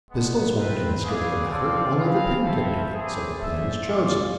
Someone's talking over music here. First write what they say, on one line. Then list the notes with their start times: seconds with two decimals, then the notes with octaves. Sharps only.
Pistols won't demonstrate the matter; only the pen can do it, so the pen is chosen.
0.09 G#3 B3 D4
0.55 C4 F4 B4
1.02 A3 E4 G#4 D5 F5
1.49 C4 F4 A4 D5 F5
1.96 C4 G#4 B4 F5
2.43 C4 E4 A4 E5
2.90 C4 E4 G#4 D5
3.37 D4 A4 C5 E5
3.83 F4 A4 D5 F5